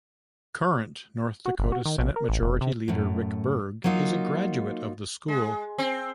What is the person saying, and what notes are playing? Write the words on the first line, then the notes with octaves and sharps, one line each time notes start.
Current North Dakota Senate Majority Leader Rick Berg is a graduate of the school.
F#4
G1
F#4
D#3
A#1
A#4
A1
F1
C3
F#2 A2
F#3 A#3 D#4 F4 F#4
G#3
C4